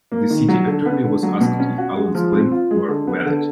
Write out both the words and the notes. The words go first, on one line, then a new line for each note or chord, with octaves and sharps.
The city attorney was asked if Allan's claim were valid.
A#3
D#3
F#3
D3
B3
D3
F#3
B2
C#4
F#4
G#3
F3
C4
F4
G#3
D3
B3
D3